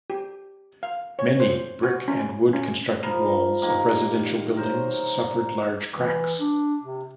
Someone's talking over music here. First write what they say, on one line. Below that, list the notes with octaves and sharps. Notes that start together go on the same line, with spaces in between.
Many brick and wood constructed walls of residential buildings suffered large cracks.
G4
F5
C#5
C5
F#4
C#4
C#4
F3 A#4 B5
G2 D#3 A#3
A#4 C5 C#5
E3
D4
C3